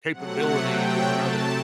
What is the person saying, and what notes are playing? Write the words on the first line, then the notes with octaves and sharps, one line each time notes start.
capability is another.
C3 F#3 A3 F#5
G5
A5